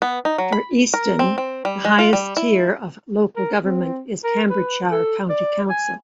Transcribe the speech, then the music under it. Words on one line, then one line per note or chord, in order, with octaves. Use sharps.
For Easton the highest tier of local government is Cambridgeshire County Council.
B3
D#4
F#3
B5
A#4
C4
C4
G3
G#3
F4
G3
E4
A#4
C4
A#4
B4
A4
D5
G#5